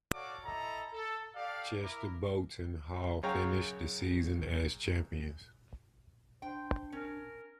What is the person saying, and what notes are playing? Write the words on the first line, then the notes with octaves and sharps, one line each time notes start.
Chester Boughton Hall finished the season as champions.
F#4 A4 C#5 D5 F5 D6
E4 A4 D#5 A#5
A4
G4 A4 D5 F5
E4 A#4 D6
F#2 C#3 C#5 F5 G5 A#5
D4 C5 G5
C#4 A#4